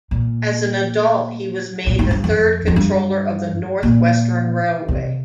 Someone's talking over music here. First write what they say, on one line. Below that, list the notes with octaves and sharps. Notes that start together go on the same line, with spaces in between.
As an adult, he was made the third Controller of the North Western Railway.
A#2
A#2
G#2
G2
F2
F2
G2
A#2
C3